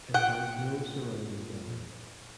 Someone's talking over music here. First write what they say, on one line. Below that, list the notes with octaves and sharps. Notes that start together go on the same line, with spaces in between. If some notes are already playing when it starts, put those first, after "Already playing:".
It has no surrounding gallery.
A#2 F#5 G5